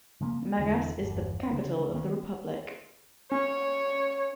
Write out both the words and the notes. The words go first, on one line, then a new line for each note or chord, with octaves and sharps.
Magas is the capital of the republic.
C#3 F3 A#3 C#4
G3 B3
E1 E2 D3 E3
G1 E2
C#2 D3
D#3 B3 C#4
C#4 C#5